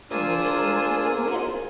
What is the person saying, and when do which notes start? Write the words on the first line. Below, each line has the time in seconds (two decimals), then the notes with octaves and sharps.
"And which do you think will whip?"
0.11 D4 F4 G#4 A#4 C5 E6